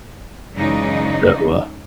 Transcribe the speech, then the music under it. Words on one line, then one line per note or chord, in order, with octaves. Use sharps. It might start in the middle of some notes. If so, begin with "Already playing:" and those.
So, uh,
F#2 C#3 E3 G#3 D4 D#4